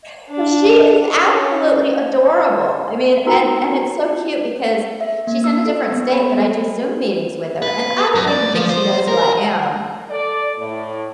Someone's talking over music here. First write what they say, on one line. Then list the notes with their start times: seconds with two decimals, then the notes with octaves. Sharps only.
uh, she is absolutely adorable. I mean, and and it's so cute because she's in a different state, but I do Zoom meetings with her, and I don't even think she knows who I am.
0.31 D4
1.23 C#4
3.25 D#4 F4 F#4 A#4 A#5
5.01 E5
5.27 A#3
5.44 E6
5.66 A4
5.92 B3
6.12 B5
7.62 B4
8.15 F#2
8.28 D5
8.54 F3
8.69 C5
9.08 A#4
10.10 A4 D5
10.58 A2